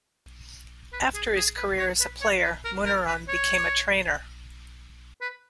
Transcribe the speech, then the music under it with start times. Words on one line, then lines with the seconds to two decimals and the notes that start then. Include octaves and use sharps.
After his career as a player, Munaron became a trainer.
0.93 B4
1.15 G#4
1.36 G#4
1.57 B4
1.78 C#5
2.00 B4
2.21 C#5
2.43 B4
2.64 A#4
2.86 A#4
3.07 B4
3.28 C#5
5.21 B4